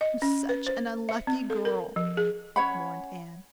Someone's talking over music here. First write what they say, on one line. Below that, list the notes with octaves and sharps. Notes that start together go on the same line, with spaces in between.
"I'm such an unlucky girl," mourned Anne.
D#5
C#4
B4
C5
E5
C4
A4
A#4
F3
G#4
C#4 C#5 F#5 B5